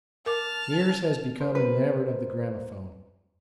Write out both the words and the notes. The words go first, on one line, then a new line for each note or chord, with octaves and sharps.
Meares has become enamoured of the gramophone.
A#4 A5 D6 F6
A#4 C5
B4